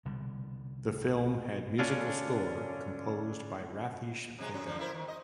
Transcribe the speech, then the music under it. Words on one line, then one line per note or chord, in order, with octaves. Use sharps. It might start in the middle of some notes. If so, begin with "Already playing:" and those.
The film had musical score composed by Ratheesh Vega.
C2 B2 D3 G3
D3 C#4 D4 F4
C3 F#3 G#3
F#2 D3 F#3
D3 F3
E4 A#4 C5
D#3
D#5